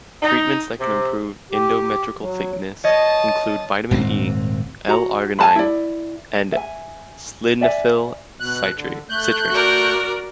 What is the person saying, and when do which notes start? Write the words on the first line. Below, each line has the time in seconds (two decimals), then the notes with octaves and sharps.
Treatments that can improve endometrial thickness include Vitamin E, L-arginine and sildenafil citrate.
0.22 D#4
0.79 C3
1.51 G4
2.20 F#3
2.84 C#5 D#5 A5 D#6
3.91 D#1 G#2 A3 C4
4.88 F#4 A#5
5.39 G#5 A5 B5
5.56 E4 D5
6.53 E5 G#5
7.61 D5 E5 G#5
8.40 B2 F#6
8.75 D3
9.10 A3 F#6 G6
9.51 F#4 A#4 D5